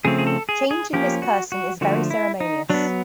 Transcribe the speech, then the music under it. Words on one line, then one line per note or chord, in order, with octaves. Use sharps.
Changing this person is very ceremonious.
C#3 F3 A3 C4 G#4
G#4
A4
G#4
G#4
F3 A#3 C#4 G4
F#4
F#4
D3 F3 A3 F#4
E4
D#4
F#3 B3 D4